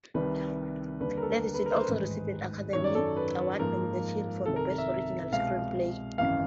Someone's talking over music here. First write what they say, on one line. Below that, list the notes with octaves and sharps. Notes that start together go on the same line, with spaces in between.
Levinson also received an Academy Award nomination for Best Original Screenplay.
C2 C3 D#3 G3 B4
D#2 D3 G3 B4
A#4
A4
B4
A#4
C5
B4
A1 G#2 D#3 G#3
F#2 D#3 F#3 C#5
D5
A4
B4
G#2 F3 A#3 A#4
C2 C3 D#3 A4
A#4
A#4
E5
C2 B2 G#3 F5
G#1 F#2 C#3 E3 F5